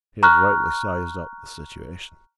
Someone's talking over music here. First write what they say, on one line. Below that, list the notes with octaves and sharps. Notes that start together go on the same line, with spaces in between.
He had rightly sized up the situation.
A#5 C#6 F6 F#6